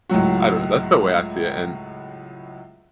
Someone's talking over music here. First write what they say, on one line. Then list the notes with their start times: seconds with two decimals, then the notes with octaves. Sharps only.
I don't know, that's the way I see it and
0.10 C#2 A2 F#3 F#4